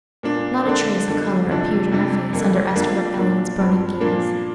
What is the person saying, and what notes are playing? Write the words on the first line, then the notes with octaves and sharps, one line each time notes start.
Not a trace of colour appeared in her face under Esterbrook Elliott's burning gaze.
A#2 A#3 D4
D3 A#3 D4
F2 D3 A#3 D4
F2 C3 F3 D4
F2 C3 G3 D4
F2 D3 A#3
F2 F3 A#3 D4
A#2 F3 A#3 D4
G2 F3 C4
A#2 F3 A#3 D4